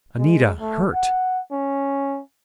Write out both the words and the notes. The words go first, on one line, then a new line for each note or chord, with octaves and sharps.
Anita hurt!
G#3
A3
F#5
C#4